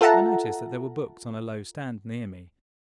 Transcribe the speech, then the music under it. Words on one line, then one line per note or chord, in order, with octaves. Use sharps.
I noticed that there were books on a low stand near me.
F4 A4 E5 F#5 A5 A#5